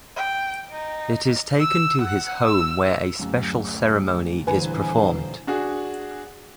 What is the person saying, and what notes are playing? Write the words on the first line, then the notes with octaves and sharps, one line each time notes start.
It is taken to his home where a special ceremony is performed.
G5
D#4
E6
F#5
E6
D1 F#2
D#1 D3 E3 B4 C5 G#5
D4 F#4 G#4